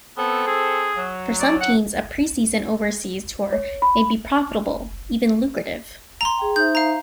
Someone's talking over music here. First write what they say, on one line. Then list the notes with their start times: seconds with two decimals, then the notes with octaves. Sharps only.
For some teams a pre-season overseas tour may be profitable, even lucrative.
0.18 B3 C4 A4
0.47 G#4
0.96 F#3
1.40 D5
1.61 F#5
3.52 C#5
3.82 B5
6.21 A#5 C6
6.38 G#4 G5
6.56 D#4 C5 E5 G6
6.75 F5 A#5